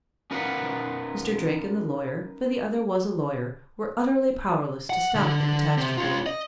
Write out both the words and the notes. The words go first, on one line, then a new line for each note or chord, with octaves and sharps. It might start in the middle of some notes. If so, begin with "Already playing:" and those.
Mr. Drake and the lawyer--for the other was a lawyer--were utterly powerless to stop the catastrophe.
C#4 D#4 A#4 B4 F5 F#5
F#5
D3
C3
C#4 F4
D#5